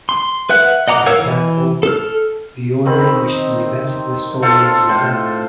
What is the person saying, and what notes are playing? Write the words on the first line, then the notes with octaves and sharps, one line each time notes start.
For example, the order in which the events of the story are presented.
C6
B4 E5 F#5 F#6
D#5 F#5 A#5 D6
A#4 C#5 F5 F#5 E6
E3
A4 F6
D#3 C4 B5
D#4
F4 A4 C5 F5
A2 C5